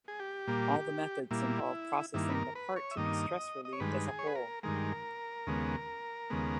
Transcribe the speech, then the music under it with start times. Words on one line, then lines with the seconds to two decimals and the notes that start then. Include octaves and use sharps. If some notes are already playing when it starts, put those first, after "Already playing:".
All the methods involve processing the part to be stress relieved as a whole.
0.08 G#4
0.20 G4
0.47 A#2 G3 A#3
1.31 A#2 G3 A#3 E4
2.14 G2 D#3 A#3 E4
2.30 B4
2.35 A#4
2.55 B4
2.76 C#5
2.91 E5
2.97 G2 D#3 A#3 D#5
3.65 D#5
3.73 C#5
3.80 G2 D#3 G#3 B4
4.08 G#4
4.19 C#5
4.27 B4
4.35 A#4
4.63 G2 D#3 G#3 A#4
5.47 D#2 C#3 G#3 B3
6.30 D#2 C#3 G#3 B3